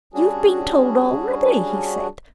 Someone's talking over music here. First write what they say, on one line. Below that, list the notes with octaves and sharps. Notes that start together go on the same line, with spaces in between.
'You have been told already?' he said.
G3 C#4 D4 F#4 G#4